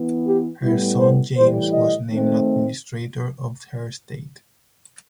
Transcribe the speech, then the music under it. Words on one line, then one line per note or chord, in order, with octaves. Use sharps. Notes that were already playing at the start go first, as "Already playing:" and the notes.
Her son James was named administrator of her estate.
Already playing: E3 B3
G4
A2 G3 B3 E4
C5
A2 E3 G3 C5
D#5
D#3 A3 C4